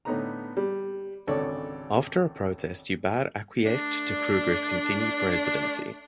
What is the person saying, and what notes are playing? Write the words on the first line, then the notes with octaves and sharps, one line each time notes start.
After a protest Joubert acquiesced to Kruger's continued presidency.
A2 D3 B3 D#4 B4 A#5
G3
G#1 C#2 D3 A4 C#5 D5
A3 D4